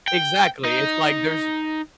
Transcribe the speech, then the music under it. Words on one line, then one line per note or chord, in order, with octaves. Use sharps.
Exactly, it's, like, there's
G5
D#4